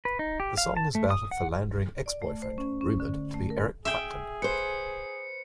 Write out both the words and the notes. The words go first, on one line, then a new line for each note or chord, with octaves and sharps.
The song is about a philandering ex-boyfriend, rumoured to be Eric Clapton.
B4
D#4
G4
F5
A5
A3
D#6
F#5
D5
A3
C5
C#4
C#4
D3
A3
A#4
G#4 E5 G5
B4 C5 C#7